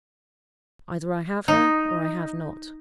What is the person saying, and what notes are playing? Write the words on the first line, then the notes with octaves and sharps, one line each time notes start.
Either I have her, or I have not.
D#4